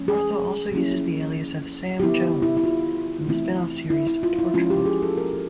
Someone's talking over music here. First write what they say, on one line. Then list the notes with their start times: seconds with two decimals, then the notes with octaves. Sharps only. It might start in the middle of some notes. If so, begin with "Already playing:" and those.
Martha also uses the alias of "Sam Jones" in the spin-off series "Torchwood".
Already playing: F3 A3 C#4
0.08 G#4
0.71 F3 A#3 C#4 E4
1.99 D3 G3 B3 E4 G4
2.20 G4
2.42 E4
2.57 E4
2.64 F4
3.27 E3 A3 C4 E4
3.90 E4
4.07 E4
4.23 F4
4.39 E4
4.54 F3 G#3 C#4 E4 F4
4.70 G4
4.86 G#4
5.02 A4
5.17 A#4